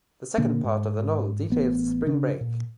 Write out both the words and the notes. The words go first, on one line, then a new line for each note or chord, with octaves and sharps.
The second part of the novel details the spring break.
A#2 D3 A#3
G#2
A1 B3
C#3 C#4 D4
A#2